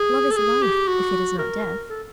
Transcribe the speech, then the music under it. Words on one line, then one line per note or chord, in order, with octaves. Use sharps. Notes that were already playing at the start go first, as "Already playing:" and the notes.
Love is life, if it is not death.
Already playing: G#4
A4
G#4
G4
F#4
A#4
A4